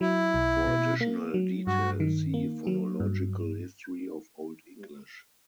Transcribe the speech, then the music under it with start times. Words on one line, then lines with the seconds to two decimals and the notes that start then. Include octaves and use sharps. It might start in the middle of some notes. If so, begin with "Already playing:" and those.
For additional detail, see Phonological history of Old English.
0.01 F#3 E4
0.34 B1
0.67 B2
1.01 A#3
1.34 F#3
1.67 G2 F#4
2.00 D#3
2.34 A#3
2.67 F#3
3.00 G2